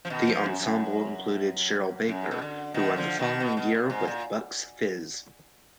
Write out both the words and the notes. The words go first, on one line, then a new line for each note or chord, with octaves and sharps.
The ensemble included Cheryl Baker, who won the following year with Bucks Fizz.
F3
B2 D#3
F3
F#2
F#2
F#2
B2
D3
B2 D#3
D3 F3
B2 D#3
B2
B2
A#2
G#2
A#2